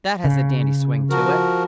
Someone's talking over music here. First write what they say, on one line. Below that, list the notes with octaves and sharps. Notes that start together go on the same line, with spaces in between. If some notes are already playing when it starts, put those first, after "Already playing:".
"That has a dandy swing to it."
C#3
F3 F#4 A#4